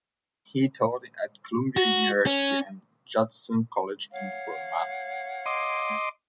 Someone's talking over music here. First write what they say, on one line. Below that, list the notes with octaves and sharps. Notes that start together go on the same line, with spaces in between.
He taught at Columbia University and Judson College in Burma.
F#4
C#4
C#5 F5 F#5
D#5 C6 D6